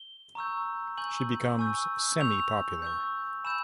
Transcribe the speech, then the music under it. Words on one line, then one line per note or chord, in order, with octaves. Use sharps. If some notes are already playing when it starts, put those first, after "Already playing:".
She becomes semi-popular.
Already playing: G7
A#5 C#6 E6 G6
G#5 C#6 E6 G6 F#7
G#5 C#6 E6 G6
C#6 E6 G6 F7
C#6 E6 G6
G#5 B5 E6 G6 E7